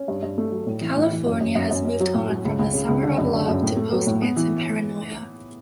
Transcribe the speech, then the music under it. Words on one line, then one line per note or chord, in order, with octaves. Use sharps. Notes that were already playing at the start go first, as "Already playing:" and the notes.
California has moved on from the Summer of Love to post-Manson paranoia.
Already playing: C#4
G2
G2
A3
F#3
A2
E3
A2
E3
F#2
F#2
F#2
F#2
C#4
F#3
A2
F#3
C#2
C#2
C#3
C#2
D3
F#2
D3
F#2
A2
A3
F#3
A2
B3
E3